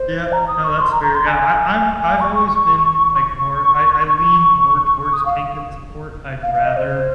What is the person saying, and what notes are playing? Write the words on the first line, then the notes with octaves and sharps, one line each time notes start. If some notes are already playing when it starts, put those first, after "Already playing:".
Yeah no, that's fair, yeah, I I I'm I've always been, like, more I I lean more towards tank and support; I'd rather,
Already playing: C5
A#5
D#6
C#6
C6
A#5
A#5
C6
G#5
C#6
C#6
C#6
C#6
D#6
F5
F5
F5
D#5
C5